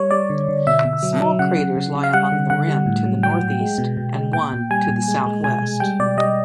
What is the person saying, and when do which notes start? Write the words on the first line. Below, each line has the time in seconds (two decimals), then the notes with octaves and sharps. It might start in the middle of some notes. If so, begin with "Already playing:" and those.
Small craters lie along the rim to the northeast and one to the southwest.
Already playing: G3 C#5
0.11 G3 D5
0.30 D3
0.48 D3
0.67 B2 E5
0.85 B2
1.03 F#3
1.22 F#3
1.39 C#3 F#5
1.59 C#3
1.77 C#3
1.95 C#3
2.03 F5
2.14 G3 F#5
2.32 D3
2.50 D3 F#5
2.68 G3
2.86 A2
3.06 F#3
3.23 F#3 G5
3.41 A2
3.61 G#3
3.78 B2
3.97 B2
4.15 G#3
4.33 A#2 G5
4.53 A#2
4.70 G3 G#5
4.88 A#2
5.08 G#3
5.26 G#3
5.44 B2 G#5
5.63 G#3
5.80 G3 G5
5.99 B2 D5
6.17 G3 D#5